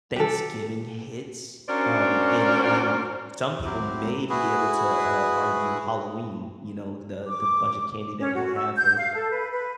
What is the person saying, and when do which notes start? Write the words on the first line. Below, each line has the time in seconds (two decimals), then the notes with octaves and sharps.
Thanksgiving hits, um, and, I mean, y some people may be able to, uh, argue Halloween, you know, the the bunch of candy that you'll have for
0.16 G4 A4
1.69 C#4 D4 F#4 A#4 C5 D5
3.65 F#3 C4 E4 G4
4.29 E4 F#4 G#4 B4
7.27 D6
8.20 C#4
8.35 F#4
8.55 E6
8.77 G6
8.97 F5
9.14 A4
9.31 B4
9.52 B4